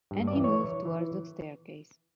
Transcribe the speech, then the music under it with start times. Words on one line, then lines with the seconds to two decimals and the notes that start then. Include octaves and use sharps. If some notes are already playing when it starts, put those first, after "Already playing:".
And he moved towards the staircase.
0.11 G2
0.27 D5
0.35 E3
0.44 C#5
0.61 E3
0.85 E3